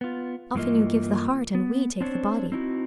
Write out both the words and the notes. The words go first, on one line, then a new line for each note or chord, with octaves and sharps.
Often you give the heart, and we take the body.
B3 F4
G2 E3 A3 A#3 F4 D#5
B3
C4 D4 C5 C#5
C4 D#4 E4 F#4